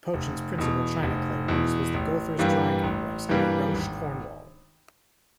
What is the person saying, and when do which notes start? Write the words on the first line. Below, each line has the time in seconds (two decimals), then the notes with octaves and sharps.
Pochin's principal china clay works was the Gothers drying complex, near Roche, Cornwall.
0.14 F1
0.58 E2 B2
1.03 F1
1.48 E2 B2
1.94 A1
2.39 G2 E3 G3 A#3
2.83 A1
3.29 G2 E3 G3 A#3
3.74 G#1